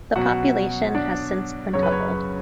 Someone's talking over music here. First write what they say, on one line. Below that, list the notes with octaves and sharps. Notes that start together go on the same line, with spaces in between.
The population has since quintupled.
B2 F#3 C#4 F#4 F#5
D4 D5
F#2 C#3 F#3 C#5
B4
C#4 C#5